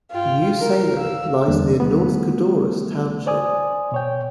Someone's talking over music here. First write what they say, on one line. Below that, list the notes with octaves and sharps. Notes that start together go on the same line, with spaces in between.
New Salem lies near North Codorus township.
F4 G5
A#4
F5 E6
E2 D3 G3 A#3 B3 D4
D#3 G3 A3 B3
C5 D5 G#5 D#6
B2 C#5 G5